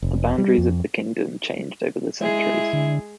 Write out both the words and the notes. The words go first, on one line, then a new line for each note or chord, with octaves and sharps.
The boundaries of the kingdom changed over the centuries.
F1
G3
F2
G#3 E4 G#4
D3